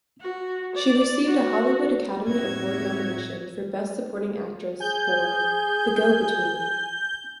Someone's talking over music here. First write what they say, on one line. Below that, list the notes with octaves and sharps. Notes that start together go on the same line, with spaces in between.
She received a Hollywood Academy Award nomination for Best Supporting Actress for "The Go-Between".
F#4
D5
F#4
F2 A2 D#4 F#4 C#5 E5 G#6
G#4 G#5 G6